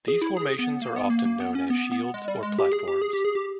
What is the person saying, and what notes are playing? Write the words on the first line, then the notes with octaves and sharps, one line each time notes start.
These formations are often known as shields or platforms.
G#4
E4
G#4
B3
A#3
B3
A#3
A#3
B3
C#4
B3
B3
G#3
G3
G#3
G4
G#4
G4
G#4
G4
G#4
G4